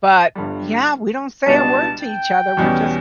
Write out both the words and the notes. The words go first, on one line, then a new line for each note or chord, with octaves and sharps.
But, yeah, we don't say a word to each other, we're just
G1 G2 D3 G3
C#2 B2 G3 B3 D4 A5
G5
E2 B2 G3 C#4